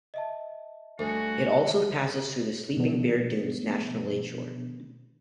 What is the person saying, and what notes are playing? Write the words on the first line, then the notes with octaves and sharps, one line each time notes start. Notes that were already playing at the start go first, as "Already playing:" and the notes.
It also passes through the Sleeping Bear Dunes National Lakeshore.
D#5 E5 A5
D2 G3 F#4 G#5
B2 D3 D#3 F3 B3 D4